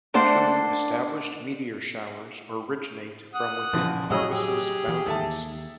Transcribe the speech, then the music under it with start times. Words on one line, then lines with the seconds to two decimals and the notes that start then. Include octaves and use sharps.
Two established meteor showers originate from within Corvus' boundaries.
0.14 A3 A#3 D4 A4 C5 F#5
3.34 F#5 D#6
3.73 A#1 C#3 E3 F3
4.10 A2 F#3 F#4 G#4 D#5 E6
4.31 G4 G#4
4.87 E3
5.06 D#2 A4 E5 A5